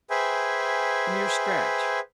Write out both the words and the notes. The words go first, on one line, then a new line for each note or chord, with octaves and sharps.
"A mere scratch."
G#4 B4 C5 E5 G5 G#5